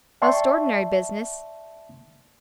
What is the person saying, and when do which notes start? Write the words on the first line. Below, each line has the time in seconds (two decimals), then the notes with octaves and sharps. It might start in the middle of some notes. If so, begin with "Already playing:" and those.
Most ordinary business.
0.22 D5 E5 G5 A5 C6 C#6